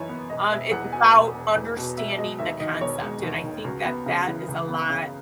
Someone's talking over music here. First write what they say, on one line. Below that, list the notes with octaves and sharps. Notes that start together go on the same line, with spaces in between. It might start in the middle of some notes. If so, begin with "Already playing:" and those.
Um, it's about understanding the concept, and I think that that is a lot
Already playing: F#2 E3 D#4 C#5
B3
E1 D#5
E1 E5
E2 F#5
B2 G#5
E1
E1
E2
B2
E1 E5
G#3 D#5
D#2 E5
D#3 D#5
D#5
E1 C#5
G#3
D#2
D#3
C#2 F#4
B3
C#3
E3
C#2
B3
C#3